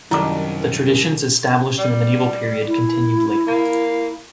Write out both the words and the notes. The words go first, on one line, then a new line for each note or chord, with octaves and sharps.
The traditions established in the medieval period continued later.
C2 F#2 D#3 G3 A3 E4 D6
G3
E4
A#3